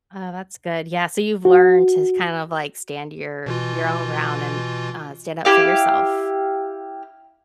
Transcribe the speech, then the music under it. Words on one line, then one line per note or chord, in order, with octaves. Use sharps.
Oh, that's good. Yeah. So you've learned to kind of, like, stand your your own ground and, uh, stand up for yourself.
F#4
B2 E3 F4
E4 G4 F5